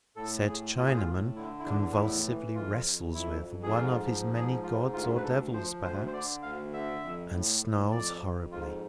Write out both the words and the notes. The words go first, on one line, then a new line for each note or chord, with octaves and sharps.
Said Chinaman convulsively wrestles with one of his many Gods or Devils, perhaps, and snarls horribly.
A2 A4
A2 G#4
A2 F4
G#4
F4
A2
D3 E4
E4
E2 D4
D4
A2 E4
E3
F2 F4
F2
F2 E4
F2
G#4
G#2 F4
F3
G#2 G#4
G#2 F4
D2 F4
B4
D2 A4
F3 C5
D2 C5
C5
D3 D5
D2 F5
D3 E5
F2
A2
A2
F2 D5
F2
G#2 F4